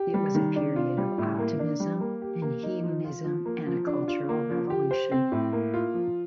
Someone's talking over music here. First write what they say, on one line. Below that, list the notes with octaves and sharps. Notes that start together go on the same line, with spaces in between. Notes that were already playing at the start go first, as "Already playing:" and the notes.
It was a period of optimism and hedonism, and a cultural revolution.
Already playing: G4
G3
D#3
D4
F4
G3
A2
A#3
D4
G3
A#3
G4
A#3
D#4
F3
F4
F3
A#3
F3
D4
F4
A#3
F3
G4
C5
C4
A2
A#3
F4
F3